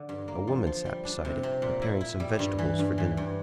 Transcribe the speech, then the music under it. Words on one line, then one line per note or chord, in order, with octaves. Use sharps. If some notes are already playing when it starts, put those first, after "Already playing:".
A woman sat beside it, preparing some vegetables for dinner.
Already playing: D3 D4
G2
A#3
F3
F3
G3
D4
C3
C3
A#2
E4
E4
G3
G2
E3
G2
E3
G2